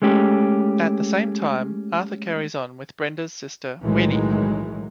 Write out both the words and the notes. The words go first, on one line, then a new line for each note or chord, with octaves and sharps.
At the same time, Arthur carries on with Brenda's sister Winnie.
G#3 A3 C#4 G4
B1 A2 D#3 E3 F#3 G#3